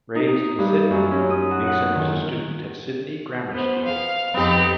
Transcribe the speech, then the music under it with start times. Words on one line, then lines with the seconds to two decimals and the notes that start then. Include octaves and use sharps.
Raised in Sydney, Mason was a student at Sydney Grammar School.
0.15 D#4
0.59 G2
0.91 F#2
1.11 C#4
1.30 D#6
1.51 F#4
1.67 F#5
1.95 D#3
3.50 B3 C5
3.85 F5
4.34 F2 B3 C4 D#4 G4